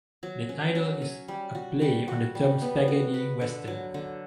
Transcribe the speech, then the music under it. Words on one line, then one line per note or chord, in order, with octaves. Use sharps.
The title is a play on the term Spaghetti Western.
F#3
C#4
F#3
C#4
G3
F#4
G3
F#4
G3
B3
F#4
B4
D3
F#3
D3